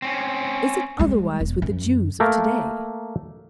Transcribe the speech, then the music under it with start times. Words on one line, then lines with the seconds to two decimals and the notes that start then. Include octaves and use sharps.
Is it otherwise with the Jews of to-day?
0.02 C4 C#4
0.99 G3 G#3
1.41 E1
1.62 F#2
2.20 A3 A#3 A#4